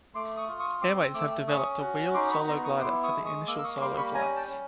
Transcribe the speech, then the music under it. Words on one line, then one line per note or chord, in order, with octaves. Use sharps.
Airways have developed a wheeled solo glider for the initial solo flights.
A3 C6 D6
C#6 D#6
F4
C#6 D#6
C4 C6 D6
A3 D6 E6
C#4 C#6 D#6
F#4
D#4 C6 D6
B5 C#6
B3 A#5 C6
C#6 D#6
E4 C6 D6
C#6 D#6
G#3
C#6 D#6
A#3 D6 E6
E6
C#6 D#6
G3 C6 D6
B5 C#6
C#4 G#5 A#5
G5 A5
C#4